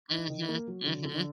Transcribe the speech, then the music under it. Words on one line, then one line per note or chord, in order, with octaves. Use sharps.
Mhm, mhm.
D#4
D#3
A#3
F#3
D3
D3